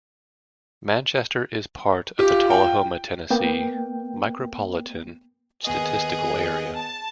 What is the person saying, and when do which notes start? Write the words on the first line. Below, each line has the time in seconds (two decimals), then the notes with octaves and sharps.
Manchester is part of the Tullahoma, Tennessee Micropolitan Statistical Area.
2.19 F4 G4
2.50 G5
3.31 A#3 B3 G5
5.65 D#2 B3 G#4 D#5
6.75 A5